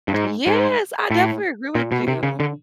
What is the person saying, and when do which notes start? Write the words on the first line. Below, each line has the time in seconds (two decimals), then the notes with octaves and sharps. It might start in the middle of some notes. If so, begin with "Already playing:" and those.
Yes, I definitely agree with you.
0.08 G2
0.14 G#2
0.47 G#2
1.11 A2
1.75 A#2
1.92 B2
2.08 C3
2.23 C#3
2.40 D3